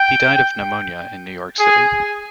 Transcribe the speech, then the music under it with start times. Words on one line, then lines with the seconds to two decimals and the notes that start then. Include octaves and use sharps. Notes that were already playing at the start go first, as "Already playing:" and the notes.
He died of pneumonia in New York City.
Already playing: G5
1.59 G#4